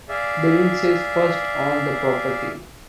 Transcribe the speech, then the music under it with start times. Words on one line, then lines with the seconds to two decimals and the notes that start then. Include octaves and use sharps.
The Lindsays first owned the property.
0.09 G#4 D5 E5 F5